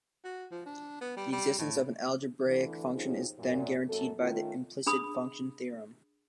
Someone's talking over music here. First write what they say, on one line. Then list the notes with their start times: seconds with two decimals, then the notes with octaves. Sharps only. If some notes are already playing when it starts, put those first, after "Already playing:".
The existence of an algebraic function is then guaranteed by the implicit function theorem.
0.25 F#4
0.51 F3
0.66 D4
1.01 B3
1.17 G3
1.32 G3
1.58 A2
2.46 D2 D3 E3
2.94 D#2 F3 C#4 D#4 G#4
3.39 F#2 A#2
3.88 F#2 A#3 A4
4.19 D#3 A3 C#4 F4
4.86 D4 G#4 B5 D#6